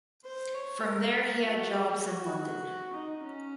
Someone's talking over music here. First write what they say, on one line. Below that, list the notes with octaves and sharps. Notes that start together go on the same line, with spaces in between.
From there he had jobs in London.
C5
C#5
A#4
F#4
G#4
F#4
D#4
C#4